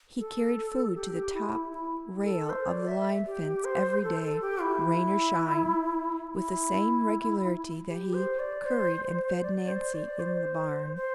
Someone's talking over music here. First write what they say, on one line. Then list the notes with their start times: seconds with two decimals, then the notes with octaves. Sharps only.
He carried food to the top rail of the line fence every day, rain or shine, with the same regularity that he curried and fed Nancy in the barn.
0.18 A4
0.95 G4
1.34 E4
1.72 E4
2.24 A4
2.50 C5
2.68 D5
2.88 E5
3.26 G4
3.65 C5
4.03 A4
4.22 A4
4.41 G4
4.61 E4
6.34 E4
7.88 G4
8.14 C5
8.39 D5
8.65 C5
9.04 C5
9.42 D5
9.68 C5
9.94 D5
10.19 C5
10.96 C5